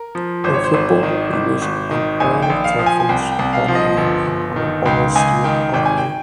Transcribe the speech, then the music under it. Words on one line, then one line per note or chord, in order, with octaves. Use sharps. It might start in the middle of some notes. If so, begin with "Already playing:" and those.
In football, he was an All-Conference honoree and an All-State honoree.
Already playing: A#4
F3
G#1 C5
C#5
C5
G#1
D#3
G#1
G#1
D#3
A#1 G#5
G5
A#1
F5
F3
G#5
G#5
C2 G5
G5
C2
F5
F3 F5
D#5
G1
G1
D#3
C#2 G5
C#2 G#5
D#3 G5
G#1 G5
G#5
G5